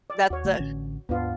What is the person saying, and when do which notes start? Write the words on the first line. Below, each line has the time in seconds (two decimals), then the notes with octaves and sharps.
that the
0.10 D5
0.30 D#2 F#4 C#5
0.44 A1 D3 A3
0.59 A1 D3 C#4
1.09 D#2 G#2 B3 D4 F4